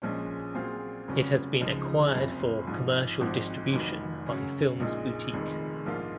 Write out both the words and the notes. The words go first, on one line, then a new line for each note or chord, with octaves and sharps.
It has been acquired for commercial distribution by Films Boutique.
A#1 A#2 F3 G#3 C#4
A#2 F#3 C4 F4 G#4
F1 F2 C#3 F#3 C#4
C#2 C#3 F3 G#3 D#4
F#1 F2 C3 F3 C4
A#1 G#2 F3
G#1 G#2 F3 C4
F1 F2 D#3 F#3
F#2 C#3 F#3 C#4
A#1 A#2 G#3 D#4
F1 F2 D#3 G#3
A#1 G#2 F3 A#3 F4